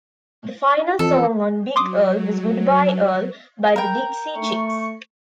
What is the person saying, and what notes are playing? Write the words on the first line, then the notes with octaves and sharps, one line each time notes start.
The final song on "Big Earl" was "Goodbye Earl" by the Dixie Chicks.
F2 E3 A4
F#3 C6 D6 D#6
A#4 G5
A3 C#6